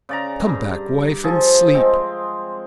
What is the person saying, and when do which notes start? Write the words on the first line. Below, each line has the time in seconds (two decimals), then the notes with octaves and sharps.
"Come back, wife, and sleep."
0.09 C#3 D5 A#5
0.46 G2
1.24 F3 G#4 A4
1.74 G#3 C4